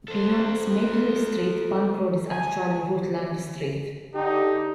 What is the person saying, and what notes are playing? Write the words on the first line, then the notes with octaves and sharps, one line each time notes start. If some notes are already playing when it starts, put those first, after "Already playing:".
Beyond Smedley Street, Bank Road is actually Rutland Street.
A4 C5
G#5
D3 D#4 G4